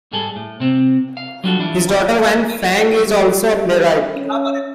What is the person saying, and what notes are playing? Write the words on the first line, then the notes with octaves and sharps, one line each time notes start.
His daughter Wan Fang is also a playwright.
G#2 G3 G#4 A4
A2
C3 C4
F5
F#3 G3 D4 F4 F#4 A4
E3 D4 E4 F4
G3
C#4